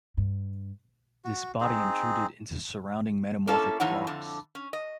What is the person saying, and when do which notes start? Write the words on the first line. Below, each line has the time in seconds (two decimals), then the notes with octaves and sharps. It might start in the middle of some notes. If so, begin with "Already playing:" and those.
This body intruded into surrounding metamorphic rocks.
0.17 G2
1.24 F#4
1.61 C4 D#4 G#4
3.47 A#3 C#4 E4 A4
3.80 F2 A2 E3 D#4 C#5 F#5
4.07 F2 D3
4.55 C#4
4.73 D#5